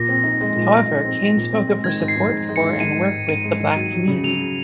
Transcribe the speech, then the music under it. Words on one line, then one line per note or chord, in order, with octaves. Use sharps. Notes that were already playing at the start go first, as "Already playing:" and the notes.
However, Caine spoke of her support for and work with the black community.
Already playing: A#2 A#6
C4
D#4
G#3
A#2
G#3
D#4
C4
C4
A#2
C4
G#3
D#3 G#6
G#2
C7
G#2
G#2
G#3
C#7
D#3
G#2 D#7
D#3
G#2
G#2 D#7
G#3
D#3
F#3
F#3
C#3
F#3 F7